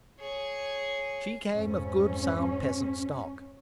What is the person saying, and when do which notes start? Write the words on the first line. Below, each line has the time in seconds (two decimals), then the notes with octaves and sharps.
She came of good sound peasant stock.
0.20 G#4 C#5
1.54 F2 G#2 C#4